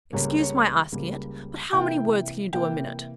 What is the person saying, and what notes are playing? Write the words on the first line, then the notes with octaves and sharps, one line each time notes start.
Excuse my asking it, but how many words can you do a minute?'
C#2 C#3 G3 A#3 C#5
C#5
C#2 C#3 G3 A#3
C3 E3 A#3 E4 G5
C3 E3 A#3 E4 G5